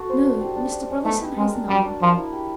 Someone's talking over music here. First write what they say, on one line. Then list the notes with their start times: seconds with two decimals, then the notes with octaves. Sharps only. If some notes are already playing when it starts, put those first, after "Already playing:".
"No, Mr. Brotherson has none."
Already playing: F#4 A4
0.09 C5
0.24 D4
0.41 G4
0.56 D4
0.73 D4
0.90 G#3
1.04 A3 B3
1.21 G4
1.37 G#3 A#4
1.53 D4
1.69 G3 F#4
1.85 D4
2.01 F3 A#4
2.18 E4
2.33 G4